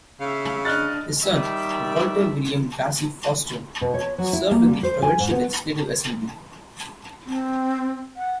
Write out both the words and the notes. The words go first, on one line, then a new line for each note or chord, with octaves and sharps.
His son, Walter William Vassie Foster, served in the provincial Legislative Assembly.
C#3 E5 F5
D4 D#5 F6 F#6 A6
D#3 G3 D5 E5
B2
C#5
F#3
E4
A#3
G3
C5
G#5
G#2
B3
C4
F#5